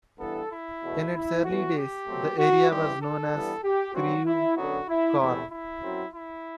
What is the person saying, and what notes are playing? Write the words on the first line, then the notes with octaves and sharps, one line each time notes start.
In its early days, the area was known as Crewcorne.
G2 E3 B3 A4
E4
E2 B2 A3
E4
A2 E3 B3 F#4
G4
B2 F#3 A3 C4
F#4
G2 E3 G3 C4 G4
A4
G2 E3 G3 B3
G4
G2 F#3 C4 F#4
E4
F#2 D3 F#3 B3 F#4
E4
E2 C3 E3 A3 E4
E4
F#2 F#3 C4
E4